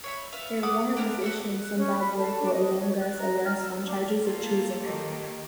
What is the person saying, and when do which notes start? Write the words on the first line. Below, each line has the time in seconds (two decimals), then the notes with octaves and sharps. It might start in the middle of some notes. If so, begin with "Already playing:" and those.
A warrant was issued in Zimbabwe for Olonga's arrest on charges of treason.
0.04 C#5 E5 B5
0.33 B4 E5 F5
0.63 F#5 D6 D#6
0.97 D4 E4 G4 A#4
1.22 F#4 E5 F#5
1.63 F#6
1.76 C#4
1.97 B5
2.15 A4
2.38 D4
2.52 D#5
2.78 C#5
2.98 F#6
3.17 A#5
3.44 F6
3.58 E6
3.85 D4
4.25 A#3 F4 A4
4.83 D#3 A#3 G4